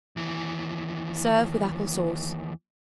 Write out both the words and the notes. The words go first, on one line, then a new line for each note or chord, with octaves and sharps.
Serve with apple-sauce.
D#2 E3